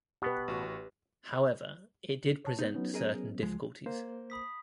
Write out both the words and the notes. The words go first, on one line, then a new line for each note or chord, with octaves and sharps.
However it did present certain difficulties.
B2 B3 G4 B4
A1 F#4
C#5 A5
B3 D#4
F#3 B3 C#4
G#4 A#4 D#5
C#2 F3 G#3
A#3 C5
B5 D#6 B6